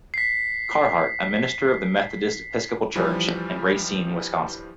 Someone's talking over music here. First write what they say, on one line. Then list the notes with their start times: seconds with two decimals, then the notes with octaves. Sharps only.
Carhart, a minister of the Methodist Episcopal Church, in Racine, Wisconsin.
0.14 B6 C7
2.95 G2 E3 F3 G3